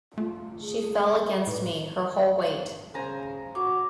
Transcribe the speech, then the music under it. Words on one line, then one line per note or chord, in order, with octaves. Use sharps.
She fell against me — her whole weight.
A3 F4
G#4
A2 B4
C#3 C5 G#5 A#5
F#4 C#5 D6